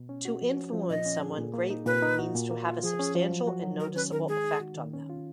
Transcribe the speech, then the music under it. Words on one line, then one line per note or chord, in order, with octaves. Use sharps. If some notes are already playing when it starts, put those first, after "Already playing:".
To influence someone greatly means to have a substantial and noticeable effect on them.
Already playing: B2
C#4
F#4
F3
C#4
F3
A#2 D#5
C#4
G#4
A#2
A#3
D#4
A#2 B4
D#4
F#4
A#2
A#3
F4
F3 G#4
C#4
F3
F#3
F#4
F#3
D#3 A#4
C#4 B4
D#3 A#4
G#3 G#4
D#4
F#4
D#3
C#4
F4